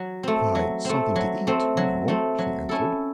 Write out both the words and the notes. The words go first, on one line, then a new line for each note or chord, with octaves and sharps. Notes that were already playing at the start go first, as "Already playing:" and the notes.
"Why--something to eat, you know," she answered.
Already playing: F#3
A3 C4
F#3
A3 C4
F#3
A3 C4
F#3
A3 C4
F#3
C#4 E4 A4